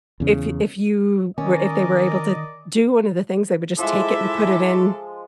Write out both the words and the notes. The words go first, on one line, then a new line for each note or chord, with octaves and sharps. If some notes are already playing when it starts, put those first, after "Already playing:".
if y if you were if they were able to do one of the things, would just take it and put it in
E2 C#3
D#3 C#4 A#4 D5 D#5
F3 G#3 E4 A4 E5 D6